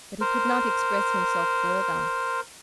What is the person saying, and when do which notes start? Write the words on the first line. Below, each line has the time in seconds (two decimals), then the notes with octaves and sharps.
But he could not express himself further.
0.21 A#4 C5